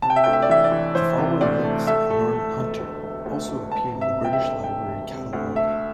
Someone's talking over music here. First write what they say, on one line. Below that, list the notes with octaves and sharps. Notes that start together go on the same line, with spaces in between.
The following books by Norman Hunter also appear in the British Library catalogue.
C3 A5
G5
E5
D2 G5
E5
D5
E3 E5
D5
E3
E3 C5
C3
D2 D5
A3
A3 E5
A3
A3
E1
D2
E1
D2
E1
E1 A5
C3
E5
E1
G5
E5
D2
E1 G5
E1
C3
D2
A3 E5